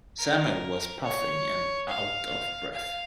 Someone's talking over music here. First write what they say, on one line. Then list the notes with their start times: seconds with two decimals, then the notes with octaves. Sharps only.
Samuel was puffing and out of breath.
0.18 A#4
1.03 C#5
1.88 F5
2.74 F5